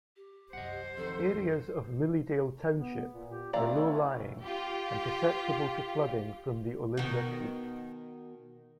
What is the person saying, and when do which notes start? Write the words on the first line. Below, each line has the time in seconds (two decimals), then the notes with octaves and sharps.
Areas of Lilydale township are low-lying and susceptible to flooding from the Olinda Creek.
0.16 G4
0.53 C2 F#2 C5 D#5 F#5
0.97 F2 D#3 A4
2.77 B3
3.13 A#2
3.32 G4
3.53 E3 A3 C4 D5 E5 F5 A#5
3.73 B3 C#4 E4
4.41 F4 G4
6.97 B2 D#3